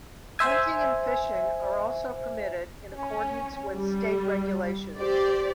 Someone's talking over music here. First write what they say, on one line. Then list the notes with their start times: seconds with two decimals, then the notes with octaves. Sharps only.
Hunting and fishing are also permitted in accordance with state regulations.
0.39 C5 E5 G#5
2.95 C#4
3.75 G3
4.98 G4 C5 D5